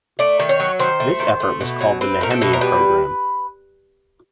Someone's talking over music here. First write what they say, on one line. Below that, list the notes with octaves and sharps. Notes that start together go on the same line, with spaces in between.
This effort was called the Nehemiah Program.
A3 D5
D#3
C#5
F#3
D#3 C5
A3
D#3
A3
B2
F#3
C4 B4
A3 A#4
A4
B2
A#4
G3 B4